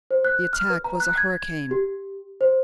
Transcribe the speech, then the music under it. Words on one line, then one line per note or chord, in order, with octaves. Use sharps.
The attack was a hurricane.
C5
F#6
F6
B4
A#5
F#6
G#6
G4
C5